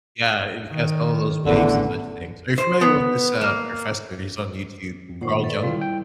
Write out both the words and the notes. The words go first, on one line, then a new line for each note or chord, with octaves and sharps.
Yeah, and he cast all those waves and such things. Are you familiar with this, uh, professor? He's on YouTube, Carl Jung?
D#3
A1 E2 D3
C5
B3
A#3
F2
A#2 D#3 C5 C#5 F#5
A4 B4 D5
G3 E4 F4
G5